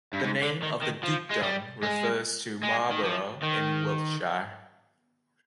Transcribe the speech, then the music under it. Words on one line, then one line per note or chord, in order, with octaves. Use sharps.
The name of the dukedom refers to Marlborough in Wiltshire.
G2
G#2
D3
D#3
D#3
F3
G#3
G3
G#3
G#3
D#3
F3
D#3